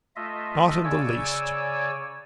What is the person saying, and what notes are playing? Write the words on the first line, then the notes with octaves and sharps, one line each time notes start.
"Not in the least."
A3 F4 D#5 E5
C#3 C#5 D5 G#5 E6